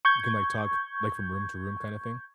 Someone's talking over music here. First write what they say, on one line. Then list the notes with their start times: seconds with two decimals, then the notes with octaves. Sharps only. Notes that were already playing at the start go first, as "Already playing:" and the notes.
You can, like, talk, like, from room to room kinda thing?
0.05 C#6 G6 G#6